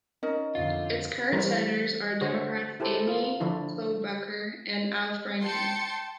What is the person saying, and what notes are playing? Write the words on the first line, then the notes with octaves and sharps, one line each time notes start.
Its current Senators are Democrats Amy Klobuchar and Al Franken.
C#4 D#4 A#4 D#5
F2 D3 F4
E3 G3 E4 A#4 C5
D3 F#4 C5 C#5
E4 G4 A4 C5
A#3 F4
D3 F3 D4 E4
G5 A5 C6 G6 A6 C#7